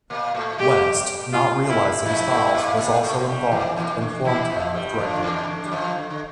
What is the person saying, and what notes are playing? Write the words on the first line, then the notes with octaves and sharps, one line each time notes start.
West, not realizing Styles was also involved, informed him of drug dealing.
A#2 A#3
A2 A3
G2 G3 G4
F4
E4
F2 F3 E4
A2 A3
A#2 A#3
A#2 A#3
A2 A3
G2 G3
E2 E3
E2 E3
D3
E2 E3 E4
F2 F3
G2 G3
F2 F3 D4
D3
E2 E3
C3
D3
G3
F2 F3
D3
D3